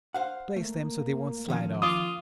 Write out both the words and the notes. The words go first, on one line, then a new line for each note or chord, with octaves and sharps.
Place them so they won't slide off.
C5 F5 F#5
A3 A#3
D#3 F3 C#4
F4 D6 D#6